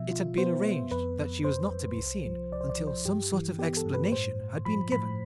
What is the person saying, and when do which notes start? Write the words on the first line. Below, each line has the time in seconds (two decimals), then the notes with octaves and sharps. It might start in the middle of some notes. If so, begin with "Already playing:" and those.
It had been arranged that she was not to be seen until some sort of explanation had been given.
Already playing: B2 F3 E5
0.11 F4
0.38 B3 C5
0.64 B3
0.91 F2 B4
1.18 F2
1.44 F2 C5
1.71 F2
1.98 C2
2.25 F3
2.52 C2 D5
2.61 C5
2.69 D5
2.78 F3
2.87 C5
3.05 G2 G4
3.32 E3
3.59 B3 G4
3.77 A4
3.86 G2
3.94 B4
4.12 A2 C5
4.39 A2
4.65 F3 B5
4.92 A2 B5